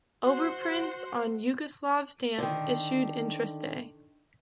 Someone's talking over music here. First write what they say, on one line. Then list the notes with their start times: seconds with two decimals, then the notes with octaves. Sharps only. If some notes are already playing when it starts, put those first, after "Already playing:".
Overprints on Yugoslav stamps issued in Trieste.
0.24 F#4 C5 F#5 C6
2.39 D3 D#3